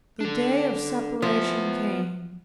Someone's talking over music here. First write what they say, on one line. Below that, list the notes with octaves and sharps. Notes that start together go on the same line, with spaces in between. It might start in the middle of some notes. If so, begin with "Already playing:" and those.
The day of separation came.
D4 A4
F3 B3 E5